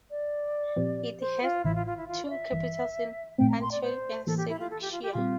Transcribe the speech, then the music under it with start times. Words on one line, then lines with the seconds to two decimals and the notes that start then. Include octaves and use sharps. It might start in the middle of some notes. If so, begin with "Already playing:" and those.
It had two capitals in Antioch and Seleucia.
0.11 D5
0.76 A#2 F3 C4 G4
1.20 C5
1.42 F4
1.64 A1 A2 E3 E4
1.75 F4
1.86 F4
1.97 E4
2.08 F4
2.25 D5
2.30 E5
2.51 A1 G2 E3
3.38 A#1 A#2 A3 C4 G5
3.50 A#5
3.61 C6
3.71 D5
3.83 C5
4.27 A2 E3 A#3 A4
4.37 G4
4.49 E4
4.60 F4
4.70 A4
4.81 G4
4.92 F4
5.03 G4
5.13 A#2 G3 C4 F4